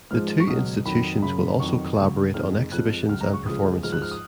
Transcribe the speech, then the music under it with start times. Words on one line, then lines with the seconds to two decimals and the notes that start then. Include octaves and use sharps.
The two institutions will also collaborate on exhibitions and performances.
0.11 G#2 F3 G#3 F6
0.40 C#6
0.48 C#2 B2 F#3 D#6
0.85 F2 D#3 F#3 B5
1.22 F#2 C#3 F#3 B5
1.60 F2 D#3 F#3 C#6
1.97 C#2 C#3 F#3
2.34 F2 D#3 G#3 F6
2.72 F2 F3 G#3 F#6
3.08 C#2 C#3 F#3 F6
3.21 A#5
3.33 C#6
3.46 C#2 C#3 F3 G#3 D#6
3.83 G#2 F3 G#3 F6
3.92 F#6
4.02 F6
4.11 D#6